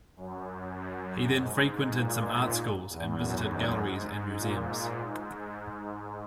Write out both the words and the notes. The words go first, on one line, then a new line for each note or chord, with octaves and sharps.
He then frequented some art schools, and visited galleries and museums.
F#2
F#2
G#2
A#2
E2
F#2
G#2
G#2
A#2
G#2